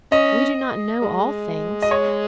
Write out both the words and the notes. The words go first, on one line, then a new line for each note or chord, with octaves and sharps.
We do not know all things.
C#4 D#5
G#3
D#5
C#5